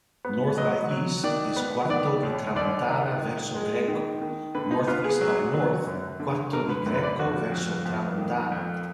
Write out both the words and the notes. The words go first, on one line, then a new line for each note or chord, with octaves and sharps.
North-by-east is "Quarto di Tramontana verso Greco", northeast-by-north "Quarto di Greco verso Tramontana".
B3
F#3 D#5
F#3
D#3 D5
B3
D#3 D5
D#2
D#2 D5
D#3
D#3
G#3
D#3
D#3
D3 B4
D#4
B3 F4
G#4
F#3
F#3
F#2
D3
D3 A#4
B4
F#2
B4
D5
F2 F#4
F2
F2
D#3
F2